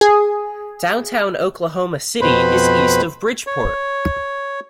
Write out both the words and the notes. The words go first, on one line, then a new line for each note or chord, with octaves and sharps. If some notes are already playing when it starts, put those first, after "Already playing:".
Downtown Oklahoma City is east of Bridgeport.
G#4
F2 B2 B4 C5 B5
C#5